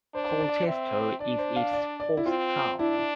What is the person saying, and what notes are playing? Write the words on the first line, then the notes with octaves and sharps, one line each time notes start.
Colchester is its post town.
D4 C5
C5
D5
C4 E5
D4 D5
C5
F5
D5
D5
E4
C4 F4
D4 E4
E4